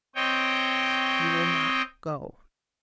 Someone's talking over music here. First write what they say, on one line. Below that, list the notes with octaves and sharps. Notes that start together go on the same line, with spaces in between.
You will not go?'
C4 C#5 D#5 G5